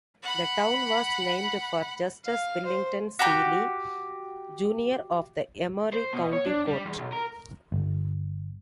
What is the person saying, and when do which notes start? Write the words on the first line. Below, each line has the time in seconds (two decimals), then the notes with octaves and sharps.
The town was named for Justus Wellington Seeley, Junior of the Emery County Court.
0.23 F#5 B5
2.25 F5
2.65 C5
3.19 F#4 G4 A#5 G6
5.93 C5
6.13 B2
6.33 C#5
6.46 D4
6.68 G3
6.86 E2
6.99 B1
7.13 A#4
7.72 G1